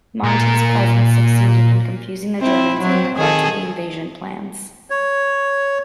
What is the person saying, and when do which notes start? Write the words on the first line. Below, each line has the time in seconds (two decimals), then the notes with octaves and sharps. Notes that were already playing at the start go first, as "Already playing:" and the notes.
"Monty's" presence succeeded in confusing the Germans in regard to the invasion plans.
0.23 A#2 A#4
2.41 C4 E4
2.82 F#3 C4
3.16 D#3 G#4 A4
4.90 C#5